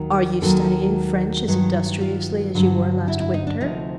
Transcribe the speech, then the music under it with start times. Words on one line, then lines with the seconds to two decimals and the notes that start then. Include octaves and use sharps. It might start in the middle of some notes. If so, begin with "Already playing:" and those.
'Are you studying French as industriously as you were last winter?'
Already playing: D#2 D#3 F#3
0.42 D#2 D#3 F#3 A4
1.48 G2 D#3 F#3
2.01 F4
2.55 G2 D3 F#3
3.08 E4
3.20 E4
3.34 D#4
3.47 D4
3.61 D2 C3 F3 D#4